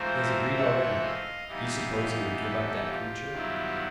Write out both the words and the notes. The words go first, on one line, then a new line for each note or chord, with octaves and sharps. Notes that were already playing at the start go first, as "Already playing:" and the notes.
He has agreed already: do you suppose he would give up that creature?
Already playing: G#2 E3 A3 C4 F4 A#4 C5
E5 F#5
D#5 F5
E3 G3 B3 D#4 D#5 F5
A4 B4
F4 G4
G2 D#3 F#3 B3 E4